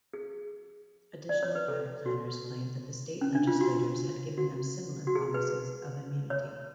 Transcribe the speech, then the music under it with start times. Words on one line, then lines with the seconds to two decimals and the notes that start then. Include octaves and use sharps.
Additional riot planners claimed that state legislators had given them similar promises of immunity.
0.14 G#4
1.29 D5
1.43 C#5
1.55 B4
1.68 A4
2.06 F#4
3.21 C#4
3.35 D4
3.47 F4
3.61 F#4
4.38 F#4
5.07 F#4
5.15 G#4
5.34 B4
6.30 C#5